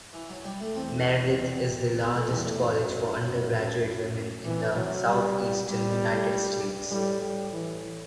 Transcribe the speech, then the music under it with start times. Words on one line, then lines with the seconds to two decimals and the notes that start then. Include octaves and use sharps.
Meredith is the largest college for undergraduate women in the southeastern United States.
0.13 E3
0.29 F#3
0.44 G3
0.60 A3
0.75 E2 C4
1.99 B3
2.14 A3
2.29 E2 G3
2.45 A3
2.60 F#2 F#3
3.21 F#2 F#3
3.83 F#2
4.44 C3 E3
4.59 D3
4.72 C3 F#3
5.07 G3
5.68 C3 G3
5.89 B2
6.10 A2
6.30 G2
6.91 A2 G3
7.22 G3
7.53 E3